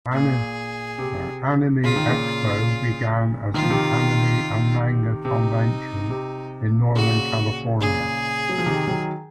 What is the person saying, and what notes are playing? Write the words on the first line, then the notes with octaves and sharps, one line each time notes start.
Anime Expo began as an anime and manga convention in Northern California.
A#2 G#4
C3
C#3 F4
D#3
A#2 C#3
D#3 F4
F3
C3 D#3
C3 D#4
C3
A#2 C#3 F#4
A#2 C#3 G#4
F#3
F3
C3 D#3
D#3 F#3